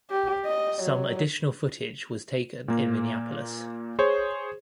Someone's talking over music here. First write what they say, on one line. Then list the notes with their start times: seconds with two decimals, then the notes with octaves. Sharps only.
Some additional footage was taken in Minneapolis.
0.11 G4
0.46 D#5
0.83 F#3
2.68 A#2 A#3
3.99 G#4 C5 C#5